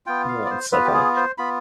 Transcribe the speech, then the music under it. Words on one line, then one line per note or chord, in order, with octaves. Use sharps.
Well, it's so funny.
B3 F4 G5
F5
D5
C5
B3 F4 B4
G4
G#4
C5
B3 F4 B5